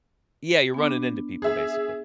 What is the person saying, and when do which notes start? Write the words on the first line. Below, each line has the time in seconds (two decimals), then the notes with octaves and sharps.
Yeah, you're running into people, basically.
0.74 B3 D4
1.42 G#4 E5